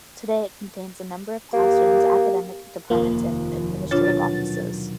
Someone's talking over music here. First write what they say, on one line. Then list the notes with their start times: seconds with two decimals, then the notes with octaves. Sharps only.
Today, it contains a number of classrooms, academic departments, and administrative offices.
1.53 A#3 G4
2.90 F1 D#2 A#3 F4
3.91 B2 F#3 D4 F4 C#5 A6